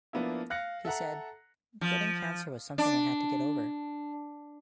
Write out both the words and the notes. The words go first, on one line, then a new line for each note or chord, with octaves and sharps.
He said: Getting cancer was something I had to get over.
F3 A#3 B3 D4 E4
F5 F#6 A#6 C#7
A4 E5 F#5 A#5
F3
D4